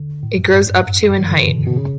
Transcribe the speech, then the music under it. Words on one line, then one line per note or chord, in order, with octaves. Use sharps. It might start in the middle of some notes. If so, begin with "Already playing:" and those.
It grows up to in height.
Already playing: D3
A2
F#2
G2
F#2
G2
E3
D3
C#3
B2
B2
C#3